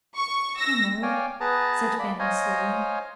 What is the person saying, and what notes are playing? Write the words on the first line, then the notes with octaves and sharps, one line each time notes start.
"I know," said Fanny slowly.
C#6
E6 A#6
C#5 D5 F5 G5 G#5
B3 G#4 B4 A5 A#5
A#3 D5 B5
C5 C#5 D#5 F5 G#5 A#5